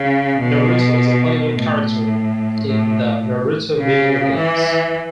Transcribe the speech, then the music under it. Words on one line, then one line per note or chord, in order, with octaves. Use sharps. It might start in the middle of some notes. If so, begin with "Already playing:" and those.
Naruto is a playable character in the "Naruto" video games.
Already playing: C#3
B2
A2
A2
C#3
E3